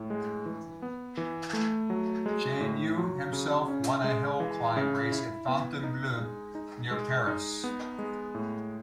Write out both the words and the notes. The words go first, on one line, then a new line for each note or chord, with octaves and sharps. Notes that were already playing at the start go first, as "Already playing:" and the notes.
Chaigneau himself won a hill climb race at Fontainebleau, near Paris.
Already playing: A2
G#3
E3
B3
E3
A3
F#3
G#3
A2
F#3
C#3
C#4
G#3
E3
C#3
E4
B3
D#4
G#3
D#4
G#3
D#4
B3
G#3
A2